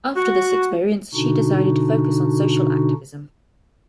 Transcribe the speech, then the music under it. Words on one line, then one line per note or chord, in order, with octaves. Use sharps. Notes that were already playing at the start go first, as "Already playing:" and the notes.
After this experience, she decided to focus on social activism.
F#4
B2 D3 D4 D#4 F#4